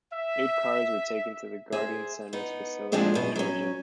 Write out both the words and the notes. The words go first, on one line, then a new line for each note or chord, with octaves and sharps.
Eight cars were taken to the Guardian Centers facility in Georgia.
E5
G#4 C5 E5
B3 D#4
A#2 F3 F#3 G#3 C4 D4
F#2 B2 D#5
F#3 C#4